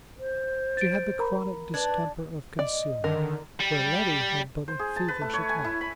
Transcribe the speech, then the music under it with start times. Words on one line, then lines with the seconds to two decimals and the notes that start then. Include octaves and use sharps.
She had the chronic distemper of concealment, where Letty had but a feverish attack.
0.19 C5
0.77 A6 D7
1.19 A#4 A#5 B5
1.74 D4 B4 G#6
2.59 D5 D#5
3.04 D3 D#3 A#4
3.60 G3
4.68 C5
4.79 G#4
4.96 A5
5.08 B4
5.21 A3
5.33 C#5
5.49 G#5
5.64 E4
5.81 B5